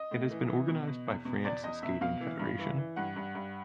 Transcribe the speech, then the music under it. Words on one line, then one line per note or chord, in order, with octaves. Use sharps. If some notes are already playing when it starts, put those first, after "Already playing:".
It has been organized by France Skating Federation.
Already playing: D#5
A2
E3
E3
B2
B2
E2
B2
E2 D5
E2 D#5
B2 E5
B2 F5
E3
G2
E3
E3
G2 F#5
G2
G2